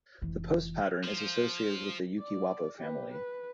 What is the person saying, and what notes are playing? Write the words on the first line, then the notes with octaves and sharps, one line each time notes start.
The Post Pattern is associated with the Yuki-Wappo family.
F1 E3
F3
D5
G4 B4
B4